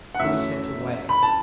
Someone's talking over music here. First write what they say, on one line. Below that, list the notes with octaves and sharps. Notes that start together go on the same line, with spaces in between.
She was sent away.
F#5
F#2 E3 A3 C#4 E5
B5
A5